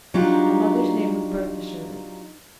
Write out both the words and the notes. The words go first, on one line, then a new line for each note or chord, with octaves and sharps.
My mother's name was Bertha Shirley.
F#3 D4 D#4 F4 G4